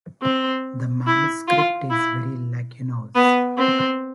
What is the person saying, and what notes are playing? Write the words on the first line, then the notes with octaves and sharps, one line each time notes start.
The manuscript is very lacunose.
C4
E4
F4
E4
B3
C4